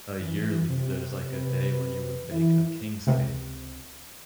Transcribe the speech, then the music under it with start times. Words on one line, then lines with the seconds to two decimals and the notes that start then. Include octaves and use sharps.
uh, yearly, there's, like, a day where you would bake a king's cake,
0.20 E3
0.69 C3
1.35 B4
2.32 E3 E4
3.07 C#2 C3